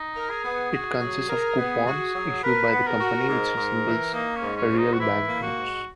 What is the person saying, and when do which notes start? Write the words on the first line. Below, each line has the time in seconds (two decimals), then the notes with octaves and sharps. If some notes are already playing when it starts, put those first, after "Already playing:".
It consists of coupons, issued by the company, which resembles real banknotes.
Already playing: D#4
0.16 A#4
0.30 G#4
0.44 B3
0.73 F#4
1.01 F#3
1.29 A#4
1.58 B3
1.86 F#4
2.15 F#3
2.43 A#4 B4
2.72 B3
2.86 A#4
3.00 F#4
3.29 G#2
3.57 G#2
3.85 E3
4.14 A#3 D#4
4.35 C#4
4.42 G#2
4.57 C#4
4.71 G#2
4.78 D#4
4.93 F#4
5.00 E3 E4
5.28 A#3
5.43 F#4
5.56 G#2